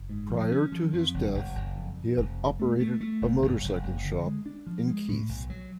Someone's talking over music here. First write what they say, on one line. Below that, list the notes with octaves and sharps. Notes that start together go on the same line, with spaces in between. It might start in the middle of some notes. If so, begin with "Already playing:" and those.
Prior to his death he had operated a motorcycle shop in Keith.
Already playing: F#1
G#2
F3
C#4
F3
F2
F#1
F#1
F#1
F2
F2
F1
F2
A3
A3
A3
F#1
F#1
F#1
F#1
D3
G#3
D4
F3
G#3
A2
B1
F#3